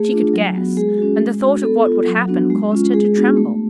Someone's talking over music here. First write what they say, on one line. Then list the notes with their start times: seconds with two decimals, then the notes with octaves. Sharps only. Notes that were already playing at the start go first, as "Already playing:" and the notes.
She could guess, and the thought of what would happen caused her to tremble.
Already playing: A3 G#4
0.12 D4 F4
0.33 F#3
0.55 B3 F#4
0.77 G#3 G#4
0.98 C#4 F#4
1.19 G#3
1.42 D4 F#4
1.63 B3 A4
1.85 F4
2.07 F#3
2.28 B3 D4 F#4
2.50 G#3
2.72 C#4 F4
2.94 G#3 G#4
3.16 B3 D4 F#4
3.37 A3